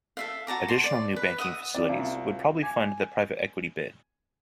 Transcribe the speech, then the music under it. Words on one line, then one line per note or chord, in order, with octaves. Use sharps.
Additional new banking facilities would probably fund the private-equity bid.
A4 E5 F5
F#4 A5 A#5 D6
C6
D5
B4
D#5 E5 F#5 D#6
C4 E4 D5
C2 F4 F#4 F5
G#5 D6 G#6